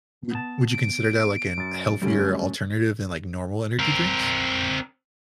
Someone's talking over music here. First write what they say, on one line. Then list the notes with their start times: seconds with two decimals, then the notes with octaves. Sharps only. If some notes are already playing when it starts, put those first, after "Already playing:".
Would would you consider that, like, an healthier alternative than, like, normal energy drinks?
0.31 B3 A5
0.72 D7
1.57 F#2 A6
2.02 F#2 D3 G3 A3 C#4
3.79 C4 A#4